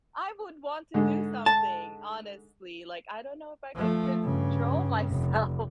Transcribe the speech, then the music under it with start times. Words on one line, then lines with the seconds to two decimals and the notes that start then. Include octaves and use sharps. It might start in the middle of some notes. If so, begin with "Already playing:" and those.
I would want to do something, honestly, like I don't know if I could control myself.
0.94 G#2 D3 G#3
1.46 A5
3.76 F3 A3
4.23 G2 C#3
5.08 F1